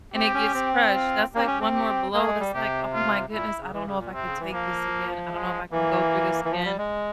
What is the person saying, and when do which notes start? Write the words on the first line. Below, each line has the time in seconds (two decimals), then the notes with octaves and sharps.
and it gets crushed, that's like one more blow that's like, "Oh my goodness, I don't know if I could take this again, I don't know if I can go through this again."
0.14 C4 G4
0.34 C#4
0.54 C4
0.94 F4
1.34 A#3 G4
1.47 C#4
1.60 C4
1.74 G4
2.14 A#3 G#4
2.27 G#3
2.40 G3
2.53 C3 G4
2.94 F4
3.33 A#2 E4
3.60 C#3
3.73 E3
3.86 C#3
4.00 A#2
4.13 C3 C4
4.26 C#3
4.39 E3
4.52 F3 A#3
5.32 G#3
5.71 E3 A#3
6.45 E3
6.51 F3
6.65 G3
6.78 G#3